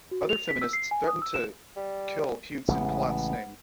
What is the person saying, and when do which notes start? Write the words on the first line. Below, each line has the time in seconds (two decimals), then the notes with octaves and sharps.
Other feminists threatened to kill Hughes in Plath's name.
0.11 F#4
0.29 F7
0.49 B6
0.62 E6
0.73 C7
0.91 G#5
1.08 D#6
1.22 E6
1.34 E7
1.77 G3
2.68 A1 C#3 G#3 B3